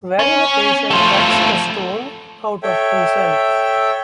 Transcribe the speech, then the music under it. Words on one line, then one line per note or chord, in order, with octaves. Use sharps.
Wherein a patient cuts a stone out of himself.
C#4
F3 A3
A4 C#5 E5 G5